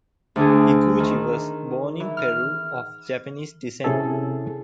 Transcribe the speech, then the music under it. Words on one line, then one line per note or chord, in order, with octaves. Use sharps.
Higuchi was born in Peru of Japanese descent.
D2 D3 G#4
D#3
E3
F6
C3 C#4 E4 G#4 A4